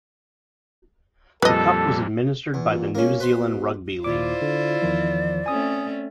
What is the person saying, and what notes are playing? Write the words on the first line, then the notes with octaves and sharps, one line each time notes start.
The cup was administered by the New Zealand Rugby League.
F2 A#2 G3 A4 B4 D#5
E2
A#2
C#2 A#3 C#4
B2 B4 C5
D#2 A#2 E4 F4 C5 D5 D6
D3
E2 D#3 F3
A3 C4 C#4 G#5 D#6